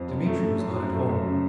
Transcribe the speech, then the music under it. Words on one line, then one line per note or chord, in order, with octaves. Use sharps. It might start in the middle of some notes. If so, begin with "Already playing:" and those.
Dmitri was not at home.
Already playing: F2
F#2
A3
A3
F#2
F#2
A3
F#2
C#3